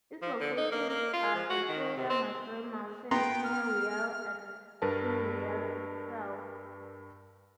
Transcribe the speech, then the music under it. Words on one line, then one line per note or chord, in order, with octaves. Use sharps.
Its locations are the Sierra Madre mountains near Real and in Real itself.
F3
D3
D#4
A#3
A#3
F4
F3
F#4
D#3
C3
C4
B3 G5 A#5 C6
F6
G2 A#4 B4 A5